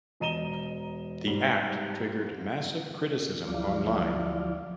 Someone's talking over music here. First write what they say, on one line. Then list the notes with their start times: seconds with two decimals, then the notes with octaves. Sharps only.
The act triggered massive criticism online.
0.20 E1 D#5 A#5 D#7 E7 G7
1.27 G#2 G3
3.47 D2 F3 F#3 E4 D5 F5